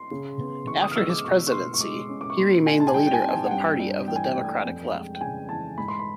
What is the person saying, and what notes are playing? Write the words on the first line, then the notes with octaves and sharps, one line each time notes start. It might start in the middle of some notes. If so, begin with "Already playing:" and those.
After his presidency, he remained the leader of the Party of the Democratic Left.
Already playing: C6
C#3
B3
E3 C#6
D#6
F6
G#3 E6
D6
B2 C#6
C#6
B2 C6
C#6
G#3 D6
C#4
D6
C#6
A#2 C6
D#4 G#5
A5
G#5
G3 G5
G5
G#5
C4
G#5
F#5
G2 G5
G2
E3 G5
G#5
G5
A3
F2
G#3
G5
C#3 G#5
E3 A5
G#2 B5
C6
B5